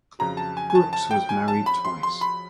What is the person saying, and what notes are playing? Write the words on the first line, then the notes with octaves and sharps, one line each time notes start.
Brooks was married twice.
F2 C#3 F#3 A#5
A5
G#5
G#5
A5
A5
G5
G#5
A5
B5
C6
C6
B5